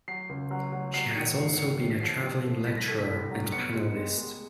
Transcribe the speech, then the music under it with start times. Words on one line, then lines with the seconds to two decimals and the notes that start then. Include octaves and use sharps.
She has also been a traveling lecturer and panelist.
0.08 F#3 C7
0.29 C#2
0.51 F#3
0.72 F#3
0.94 F#3 C7
1.15 D#3 C#7
1.37 G#2 C#7
1.58 D#3 C#7
1.80 C#4 C7
1.90 B6
2.00 F3 C7
2.23 F3
2.45 A3
2.66 C2 B6
2.77 A#6
2.88 A3 B6
2.99 B6
3.09 C2
3.31 F#3
3.52 B3 C#7
3.74 G#3 C#7
3.96 G#3
4.17 G#3